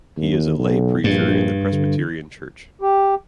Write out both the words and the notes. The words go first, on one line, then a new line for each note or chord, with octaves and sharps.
He is a lay preacher in the Presbyterian Church.
D#2
B1
A#1 G2
D3
G4